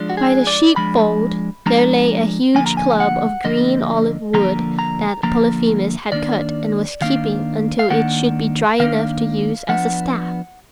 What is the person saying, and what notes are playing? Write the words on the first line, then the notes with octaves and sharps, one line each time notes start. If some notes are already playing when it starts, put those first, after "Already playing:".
By the sheepfold there lay a huge club of green olive wood that Polyphemus had cut and was keeping until it should be dry enough to use as a staff.
Already playing: F3 G#3 D4
F#4
G#4
D5
F3 G#3 D4 B5
F3 G#3 D4 A#5
D3 F3 A#3 G#5
A#5
G#5
F#5
D3 F3 A#3 D#5
D3 F3 A#3 A#5
A#5
D3 F3 A#3 A#5
D#3 A#3 D4 D5
D#3 A#3 D4 F5
F5
D#3 A#3 D4 F#5
D#3 A#3 D4 F5
F3 B3 D4 F#5